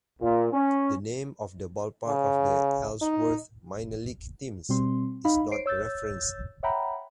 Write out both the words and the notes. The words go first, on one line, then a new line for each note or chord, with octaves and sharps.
The name of the ballpark of the Ellsworth minor league teams is not referenced.
A#2
C#4
C#3
D#4
B2 G3 C4 C6
D#4 D#5 F5 B5
C5 C#5 C7 D7
C#5 E6 G6 A6
C#5 E5 F#5 G5 A#5 B5